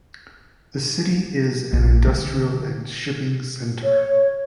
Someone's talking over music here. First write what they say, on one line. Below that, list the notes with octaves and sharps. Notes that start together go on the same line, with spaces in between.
The city is an industrial and shipping center.
A#1
D3
C#5